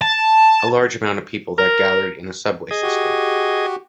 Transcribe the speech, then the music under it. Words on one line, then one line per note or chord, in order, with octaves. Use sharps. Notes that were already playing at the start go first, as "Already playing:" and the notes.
A large amount of people that gathered in a subway system.
A5
A#4
G#4 D#5
F#4 G4